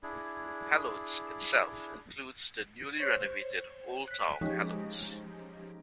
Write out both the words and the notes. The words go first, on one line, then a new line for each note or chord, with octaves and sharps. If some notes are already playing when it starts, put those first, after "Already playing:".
Helotes itself includes the newly renovated Old Town Helotes.
D4 E4 G#4
C5 C#5
F#6 B6
F3 G#3 C#4 D#4 G4